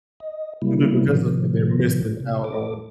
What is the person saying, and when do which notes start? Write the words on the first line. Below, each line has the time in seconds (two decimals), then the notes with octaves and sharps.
simply because of the fact they're missing out on,
0.20 D#5
0.62 C3 F#3 G3 A#3 E4
1.08 A2 C3 D#3 F3
2.20 C3
2.44 A4 D6